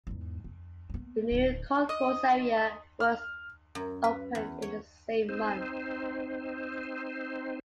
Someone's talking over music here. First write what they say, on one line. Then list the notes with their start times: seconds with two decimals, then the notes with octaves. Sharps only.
The new concourse area was opened in the same month.
0.07 E2 G#2
0.44 F2
0.90 A#3 B3
1.32 D1 D4
1.89 D#5
3.00 F6
3.75 F#2
4.04 B4
4.35 E2
4.62 C#5
5.29 C4 D#4 C5